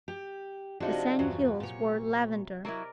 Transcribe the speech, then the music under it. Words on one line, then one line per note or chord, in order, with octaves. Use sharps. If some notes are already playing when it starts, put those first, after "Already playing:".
The sand hills were lavender.
G4
C3 F3 G#3 D4 D#4 F#4
E2 G2 F#3 F4 F#4 C5
A#2 C#5
F#3 E4 A#4 D5 D#5